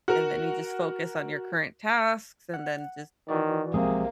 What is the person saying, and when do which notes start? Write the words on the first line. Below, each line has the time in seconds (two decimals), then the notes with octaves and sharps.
and then you just focus on your current tasks, and then just
0.08 F#4 A#4
2.54 F#5
3.29 D#3 E3 F#4 D5
3.74 B1 C3 F3 G#3 A#3 C4 G#4